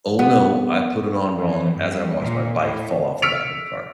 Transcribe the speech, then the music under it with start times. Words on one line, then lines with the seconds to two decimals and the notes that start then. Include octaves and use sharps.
"Oh, no, I put it on wrong." as I watched my bike fall off the back of the car,
0.19 B3
1.37 E3
1.76 G2
2.20 A#2
2.59 A2
3.22 E6 F6 B6 C#7 D7 F7